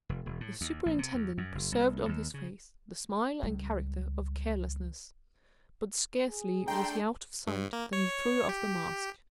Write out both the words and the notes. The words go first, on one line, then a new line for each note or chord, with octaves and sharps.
The superintendent preserved on his face the smile and character of carelessness; but scarcely was he out of sight than he threw off the mask.
F1
E1
A2
D#2
A#1
C3
E2
F#2
F#1
C2
D#2
C#3
C#2 G3
G#4
A3 D4 G5 A#5 C6
G2
A#3
C#5
G4